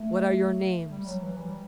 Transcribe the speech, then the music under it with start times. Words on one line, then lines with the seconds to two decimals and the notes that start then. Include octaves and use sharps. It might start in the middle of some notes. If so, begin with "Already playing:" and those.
"What are your names?"
Already playing: A3
0.89 G3
1.06 F#3
1.22 E3
1.38 G3